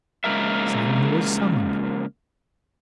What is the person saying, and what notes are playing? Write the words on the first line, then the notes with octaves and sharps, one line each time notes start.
Simon was summoned.
C#3 F3 G#3 A#3 A#4 E5